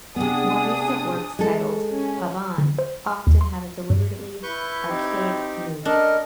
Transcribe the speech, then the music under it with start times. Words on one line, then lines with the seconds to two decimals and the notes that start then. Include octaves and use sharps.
More recent works titled "pavane" often have a deliberately archaic mood.
0.16 C3 B3 D4 G#4 D#6
1.39 G#3 A4
1.90 C#4
2.58 D3
2.78 C5
3.07 F6
3.27 D#2
3.41 C6
3.90 G2
4.43 E4 B4 C#6 G6
4.89 C4 D#4 G4
5.85 D4 A4 A#4 D#5